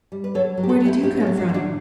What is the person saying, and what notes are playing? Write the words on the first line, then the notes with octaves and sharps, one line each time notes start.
"Where did you come from?"
G3
B4
F#3 A4 C#5
F#3
G4
F#4 A4
F#3
E4 G4
A2 E4 G4
C#4 E4
F#3
D4 F#4
A2
D4 F#4